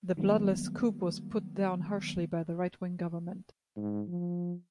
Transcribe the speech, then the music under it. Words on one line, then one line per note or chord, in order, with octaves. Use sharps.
The bloodless coup was put down harshly by the right-wing government.
D#3 F#3 G3 A#3 B3
G#2
F3